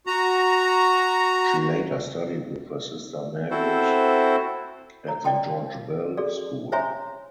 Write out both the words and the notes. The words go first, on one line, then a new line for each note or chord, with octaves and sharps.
She later studied with her sister Margaret at the George Bell School.
F#4 A#5
C4 E4 F#4 A4 C5
C#5 A#5
D5 D#5 G5 A5 C6
F#4 G#4 A4 D5
C5 C#5 E5 G#5 A#5 C6